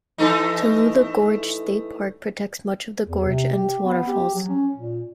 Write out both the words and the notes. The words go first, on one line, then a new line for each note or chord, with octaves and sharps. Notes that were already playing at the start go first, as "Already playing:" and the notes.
Tallulah Gorge State Park protects much of the gorge and its waterfalls.
E3 A3 D#4
E2
C3
G4
B3
G4
F#3
C#4
A#2